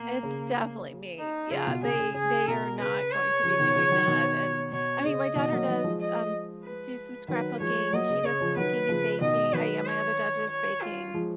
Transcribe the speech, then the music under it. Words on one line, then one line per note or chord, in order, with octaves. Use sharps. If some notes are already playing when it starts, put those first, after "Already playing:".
It's definitely me. Yeah, they they are not going to be doing that, and I mean, my daughter does, um, d do some scrapbooking; she does cooking and baking. Uh, yeah, my other daughter does baking.
Already playing: B2 A#3
C#3
D#4
C#3 F4
B2
C#3 G#4
C#3
C#3 G#4
B2 A#4
C#3 B4
C#5
C#3 F3
B2 D#3
C#3 F3
D#3 F#3
B2 D#3
B2 C#5
C#3 D#5
B2 D#3
F#3 A#3
D#3 F#3
F3 G#3
D#5
B4
D#3 F#3 B4
F3 G#3 C#5
F#3 A#3 D#5
C#3
C#3 C#5
C#3 F3
D#3 F#3 B4
C#3 F3
B2 D#3 D#5
D#3 F#3 B4
C#5
C#5
F4
F3 G#3